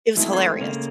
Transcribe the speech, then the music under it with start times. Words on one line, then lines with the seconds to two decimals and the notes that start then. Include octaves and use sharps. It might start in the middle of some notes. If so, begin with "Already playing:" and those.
It was hilarious.
0.17 B1 G#3 A3 C4 E4
0.32 G#1 C6 G#6 C7
0.61 C#3 A#3